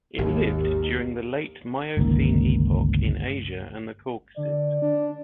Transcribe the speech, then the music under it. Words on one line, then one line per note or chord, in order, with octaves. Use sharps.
It lived during the late Miocene Epoch in Asia and the Caucasus.
G#1 D#2 G4
G1 C#2 D#3 A#3
D3 D5
D4